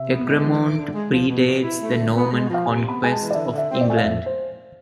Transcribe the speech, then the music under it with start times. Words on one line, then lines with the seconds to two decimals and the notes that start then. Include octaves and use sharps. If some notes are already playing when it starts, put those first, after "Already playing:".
Egremont pre-dates the Norman conquest of England.
Already playing: C3 E5
0.08 B3
0.25 G#3
0.41 E3
0.60 D3
0.77 D3
0.94 G#3
1.11 F3
1.28 B2
1.45 B2
1.63 E4
1.80 A3
1.97 D3
2.14 B3
2.32 G#3
2.49 F3
2.54 F5
2.66 C3 G#5
2.83 B3
2.89 B5
3.01 G#3 G#5
3.12 A5
3.17 E3
3.31 D5
3.34 D3 E5
3.52 D3
3.58 E5
3.70 C4
3.77 C5
3.81 D5
3.86 A3 G#5
3.97 F5
4.04 F2 E5
4.26 C5